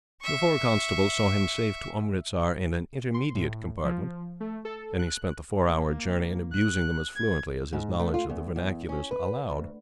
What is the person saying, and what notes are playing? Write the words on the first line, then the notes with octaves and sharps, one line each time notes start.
The four constables saw him safe to Umritsar in an "intermediate" compartment, and he spent the four-hour journey in abusing them as fluently as his knowledge of the vernaculars allowed.
E5 C#6
C6
A2
F3
A3
A4
F#6
A#3
F#6
G#6
G#2
A3
F4
E2
E2
C#4
B4
D2